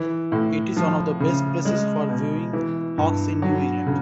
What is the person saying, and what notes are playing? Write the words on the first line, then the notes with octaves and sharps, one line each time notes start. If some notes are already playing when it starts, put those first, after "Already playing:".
It is one of the best places for viewing hawks in New England.
Already playing: E3
A2
F3
C#3
G#3
B2
E3
G2
F#3
C#3